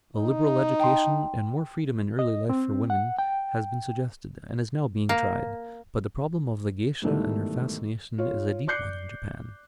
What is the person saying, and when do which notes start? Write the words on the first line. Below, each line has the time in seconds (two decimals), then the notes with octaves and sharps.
A liberal education, and more freedom in early life for women, has been suggested, and is now being tried, but the problem of the geisha and her fascination is a deep one in Japan.
0.16 D#4
0.79 G5 A5 C6
2.19 D#5
2.49 C4
2.90 F#5
3.19 G5
5.09 A#3
7.02 G#2 B2 D#3 E3 G3 A3
8.18 F4 C#5
8.67 D5 D6 F#6 G6 C7 C#7